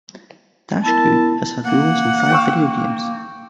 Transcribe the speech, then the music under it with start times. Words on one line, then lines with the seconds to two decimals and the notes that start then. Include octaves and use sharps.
Dushku has had roles in five video games.
0.84 B3 E4 A#4 A5
1.65 A#3 F#5
2.30 G5 C#6 E6